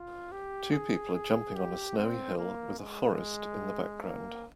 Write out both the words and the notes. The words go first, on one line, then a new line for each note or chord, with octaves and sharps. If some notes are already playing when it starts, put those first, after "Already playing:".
Two people are jumping on a snowy hill with a forest in the background.
Already playing: F4
G4
G#4
G#4
G4
C4
A#3
G#3
A#3